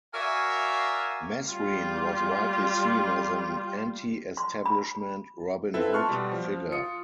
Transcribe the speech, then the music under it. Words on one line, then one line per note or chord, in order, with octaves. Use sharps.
Mesrine was widely seen as an anti-establishment 'Robin Hood' figure.
F#4 A#4 D5 E5 F5 G#5
G3 F4
C6
B5
C4 E4 F4 A4 B4 E5
A5 C6 C#6 F6 F#6
B2 G3
F3
F4 D#6 C#7